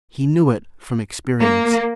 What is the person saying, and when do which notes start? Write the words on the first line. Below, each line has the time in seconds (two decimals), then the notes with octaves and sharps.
He knew it from experience.
1.40 A#3